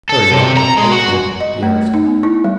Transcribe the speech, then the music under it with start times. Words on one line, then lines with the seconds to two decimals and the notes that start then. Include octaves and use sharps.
"Very well, at eight then, dearest."
0.09 A4
0.32 C3
0.57 A#5
0.77 G#3
0.92 F#4
1.40 D#5
1.63 A3
1.94 D#4
2.06 B3
2.23 E4
2.44 G3